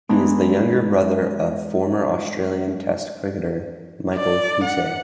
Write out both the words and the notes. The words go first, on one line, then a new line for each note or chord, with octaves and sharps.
He is the younger brother of former Australian Test cricketer Michael Hussey.
E3 G#3 A3 B3 D4 D#4
D5
F#5